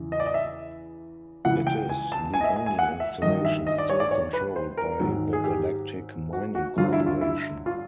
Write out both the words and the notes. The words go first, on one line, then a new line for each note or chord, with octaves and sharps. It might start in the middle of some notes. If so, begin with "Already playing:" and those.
It is the only installation still controlled by the Galactic Mining corporation.
Already playing: E2 C#3 E3
D#5
D5
D#5
E5
C#2 C#3 E3 F#5
G5
G#5
A5
G#5
D#5
E5
G#5
G#5
F#5
E5
G2 D#3 F#3 D#5
E5
D#5
D5
C#5
D5
C#5
B4
C5
A#4
G#2 D#3 F#3
G#4
G4
F#4
F#4
G2 D3 F#3 F4
E4
F4
E4
F4